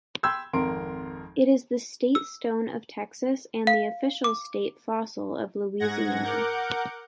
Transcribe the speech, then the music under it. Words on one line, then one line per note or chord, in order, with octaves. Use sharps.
It is the state stone of Texas and the official state fossil of Louisiana.
G5 B5 C6 E6 G6 G#6
G#1 F2 A#4 C6 D7
E6
F5
D6
G#2 F#5 G#6 A#6
A#4 F#5 D6 G6